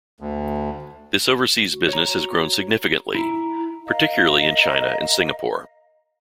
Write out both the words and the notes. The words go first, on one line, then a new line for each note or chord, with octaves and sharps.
This overseas business has grown significantly, particularly in China and Singapore.
D2
F#4
C#5 A#5
E4 A#5
A#4 D#5 F5 A#5